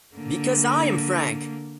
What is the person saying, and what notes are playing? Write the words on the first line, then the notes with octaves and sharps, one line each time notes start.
Because I am Frank!
D3 A#3